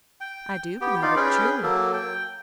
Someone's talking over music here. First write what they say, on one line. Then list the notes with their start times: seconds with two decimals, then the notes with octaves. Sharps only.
"I do believe it, truly."
0.21 G5
0.81 B3 G4 G5
1.02 D#4 F4 D5 F5
1.16 C#4 G#4 B4 G5
1.63 F#3 A#3 A4
1.93 G5